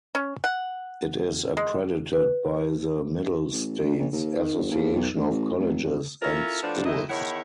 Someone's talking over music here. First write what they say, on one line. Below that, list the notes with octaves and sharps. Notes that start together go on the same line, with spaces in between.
It is accredited by the Middle States Association of Colleges and Schools.
C#4
F#5
G#3
B4
A1
D2
A#1
D#2
D#3
G1
D#2
B1
D2
A1
F1
G#1
C#4 E4 F4 A4 A#4
A2 F3 B3 D4
D#3 F#3 A3 E4 D#5
E2 D#3 E4 C#5 F#5